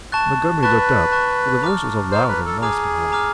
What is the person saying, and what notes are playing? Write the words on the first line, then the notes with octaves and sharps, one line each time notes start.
Montgomery looked up, for the voice was a loud and rasping one.
A5 C#6 F#6 A6
B4 A5 C#6 F#6 A6
A5 C#6 F#6 A6
A#5 D6 F6
C5 A#5 D6 F6
B4
A4
G#4 A#5 D6 F6
A#5 D6 F6